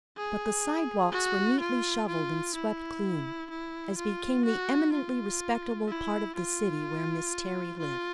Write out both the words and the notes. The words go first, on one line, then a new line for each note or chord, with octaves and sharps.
But the sidewalks were neatly shoveled and swept clean, as became the eminently respectable part of the city where Miss Terry lived.
G#4
F#4
F4
F4
E4
E4
F4
F#4
F4
E4
F4
F4